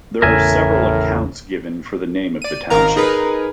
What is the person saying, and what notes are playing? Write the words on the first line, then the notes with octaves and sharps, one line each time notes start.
There are several accounts given for the name of the township.
G#1 E2 A2 C#3 A#4 E5 G#5
D5 D#7
G#1 D#3 A#4 F5 A#5
D#4 G#4 A#4 B4